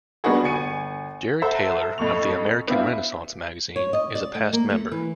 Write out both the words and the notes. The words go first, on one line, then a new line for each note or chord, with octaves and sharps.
Jared Taylor, of the "American Renaissance" magazine, is a past member.
G3 B3 D4 D#4 F#4 G#4
G1 G#5 C#7 D#7
A4 C5 E5 F#5 A#5
F2 A2 C#6 F7
B3 C4 D4 E4 F4
C#5
D#5
D5
A3
A#3
A3
E3